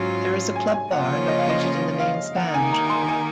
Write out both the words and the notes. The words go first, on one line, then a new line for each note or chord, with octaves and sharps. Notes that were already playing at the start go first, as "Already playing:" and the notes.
There is a club bar located in the main stand.
Already playing: G#2 F#3 C#4 F4
G#5
G#5
C#3 F3 A#3 C#4 F4 F#5
D#5
F5
D#5
F5
D#3 A#3 D#4 F#5
G#5
A#5
C6
G#5